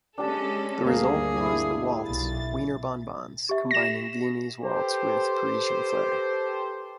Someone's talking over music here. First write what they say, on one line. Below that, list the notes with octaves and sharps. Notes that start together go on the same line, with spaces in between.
The result was the waltz 'Wiener Bonbons' combining Viennese waltz with Parisian flair.
G#3 C#4 D4 G4 A4 A5
D2 G2 A#3 G#4
E4
B1 A6
G4 E5
A#6 E7
G4 A4 B4 C5